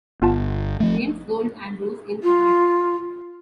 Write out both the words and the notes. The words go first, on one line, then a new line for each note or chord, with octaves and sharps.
James Gold Andrews in command.
G1 B3 F4 A5
F3 A3
F4